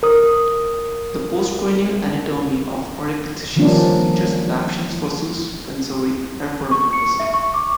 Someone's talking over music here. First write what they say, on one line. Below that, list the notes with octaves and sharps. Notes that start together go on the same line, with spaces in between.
The postcranial anatomy of "Oreopithecus" features adaptations for suspensory arborealism.
A#4 D#6
D#3 F3 G3 A#3 C#4 D4
C#6
C#7
E5
C#6
D6